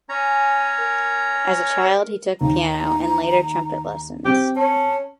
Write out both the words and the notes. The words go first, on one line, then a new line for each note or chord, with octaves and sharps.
As a child he took piano and later trumpet lessons.
C#4 C#5 G#5 A#5
A#4
D#2 A#5
C4 G4
C#4 A5